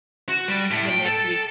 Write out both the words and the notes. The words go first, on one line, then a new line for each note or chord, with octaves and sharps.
The next week
F#4
G3
A2
G5
A4